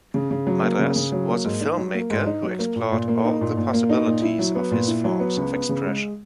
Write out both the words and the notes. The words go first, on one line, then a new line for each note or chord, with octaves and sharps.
Madrás was a filmmaker who explored all the possibilities of his forms of expression.
C#3
C#3
F#3
A#3
C#3
C#3
F#3
A#3
G#2
D#4
F#3
A#3
G#2
D#4
F#3
A#3
A#2
A#2
A#3
D#4
A#2
A#2
A#3
D#4
A#2
E4
F#3
B3
A#2
E4
F#3
B3
C#2
B3
C#3
G#3